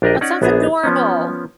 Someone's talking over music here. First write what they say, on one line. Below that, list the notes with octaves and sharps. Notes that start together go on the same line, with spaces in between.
That sounds adorable.
A#1 D4 G4 A#4 D5 D#5
C#4 D#4 C#5 D5 F#5
A#1 B3 D4 G#4 E5 A#5
F3 B3 C#4